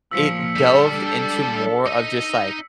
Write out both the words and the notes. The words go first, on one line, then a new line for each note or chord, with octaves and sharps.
it delved into more of just, like,
A#2 F3 E6 B6 C#7
G3 D4 A4
D#4 D#5